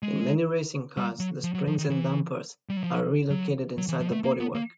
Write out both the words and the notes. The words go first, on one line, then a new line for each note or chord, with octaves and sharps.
In many racing cars, the springs and dampers are relocated inside the bodywork.
G#3
G3
F#3
F3
F#3
F3
D#3
E3
G3
F#3
F3
F#3
F#3
E3
F3
A3
A#3
B3
A#3